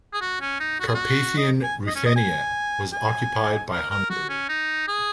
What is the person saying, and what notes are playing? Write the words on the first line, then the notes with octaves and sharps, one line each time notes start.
Carpathian Ruthenia was occupied by Hungary.
G#4
F#4
C#4
D#4
F#4
G#4
F#4
D#5
G#5
D#5
C#4
D#5
G#5
G#5
A#4
A#4
F#4
C#4
D#4
G#4